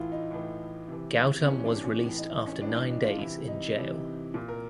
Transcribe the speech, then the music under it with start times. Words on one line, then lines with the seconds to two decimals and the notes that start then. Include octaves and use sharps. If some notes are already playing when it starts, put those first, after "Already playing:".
Gautam was released after nine days in jail.
Already playing: A2 E3 E4 F4
0.12 D#4
0.31 A2 E3
0.88 C3 E3
1.46 C3 E3 C#4
1.65 D4
1.84 C#4
2.04 A2 E3
2.18 D#4
2.47 C#4
2.61 A2 E3 D4
2.76 D4
2.90 D#4
3.05 F4
3.19 C3 E3 E4
3.48 D#4
3.77 C3 E3
4.34 A#2 E4
4.48 A#4